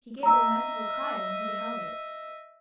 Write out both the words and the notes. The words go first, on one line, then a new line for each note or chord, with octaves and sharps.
He gave a lamentable cry when he beheld it.
D#5 E5 A#5 E6